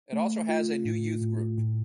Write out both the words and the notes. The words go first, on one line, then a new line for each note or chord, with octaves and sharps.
It also has a new Youth Group.
A3
F4
A2
A2
A2